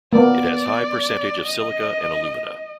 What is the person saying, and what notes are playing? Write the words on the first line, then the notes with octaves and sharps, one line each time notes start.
It has high percentage of silica and alumina.
A#3 B3 D5
D#5